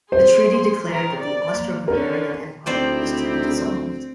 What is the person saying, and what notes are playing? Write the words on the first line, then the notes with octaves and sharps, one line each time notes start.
The treaty declared that the Austro-Hungarian Empire was to be dissolved.
G#4 C5 C6
D#3 A#4
D5
A#3
D3 C#4 A#4
D2 C4 D#4 E4 G4 C5 D5 G5